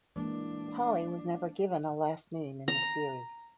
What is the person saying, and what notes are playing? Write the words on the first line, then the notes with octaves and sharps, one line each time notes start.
Polly was never given a last name in the series.
E3 G#3 A#3 D4
A#5